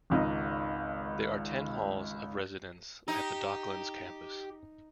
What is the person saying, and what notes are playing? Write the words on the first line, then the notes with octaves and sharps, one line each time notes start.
There are ten halls of residence at the Docklands Campus.
G#1 C#2 D#4 D#5
D#4 G4